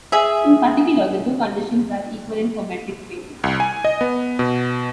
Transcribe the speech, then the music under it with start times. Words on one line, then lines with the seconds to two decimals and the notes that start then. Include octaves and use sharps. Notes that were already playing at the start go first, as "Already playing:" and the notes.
In particular, the two conditions are equivalent for metric spaces.
0.12 G#4 E5
3.44 C2
3.60 G#5
3.85 D#5
4.01 B3
4.39 B2